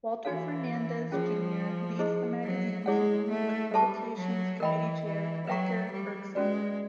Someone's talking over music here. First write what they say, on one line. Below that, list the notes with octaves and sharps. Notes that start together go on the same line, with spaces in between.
Walter Fernandez, Junior leads the magazine's team, with publications committee chair Edgar Burcksen.
E3 D4 F#4 A4 C#5 F5
F3 C#4 F4 G#4 C#5
E4 G#4 C5 D#5
F#3
G#3 E4 G#4 C#5 F#5
A3
G3 A4 C5 E5 A5 C#6
F#3
E3 A#4 D#5 G5 B5
E3
F#3 B4 E5 G5 A#5 C#6
G3
G#3 C#4 F#4 B4 D5